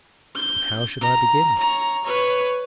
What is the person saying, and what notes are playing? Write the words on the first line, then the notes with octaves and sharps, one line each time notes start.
But how should I begin?
G6
A#5
C#5 A#5
B4 C#5